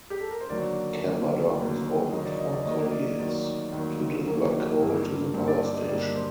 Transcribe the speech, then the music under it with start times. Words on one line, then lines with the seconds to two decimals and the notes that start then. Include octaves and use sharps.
Camber Dock was opened for colliers to deliver coal to the power station.
0.10 G4
0.21 A4
0.30 A#4
0.41 C5
0.50 D#2 D3 F#3 A#3 D5
1.03 D#2 D3 F#3 A#3
1.58 D#2 D3 F#3 A#3
2.11 D#2 D3 F#3 A#3 D#5
2.25 D5
2.38 D#5
2.52 D5
2.65 D#2 D#3 F#3 A#3 D#5
2.91 D5
3.19 D#2 D#3 F#3 A#3 D5
3.72 D#2 D#3 F#3 A#3
4.26 D#2 D#3 F#3 A#3
4.80 G2 D3 G3 A#3
5.34 G2 D3 G3 A#3 C5
5.48 D5
5.61 D5
5.74 D#5
5.88 G2 D3 G3 A#3 D5
6.15 C5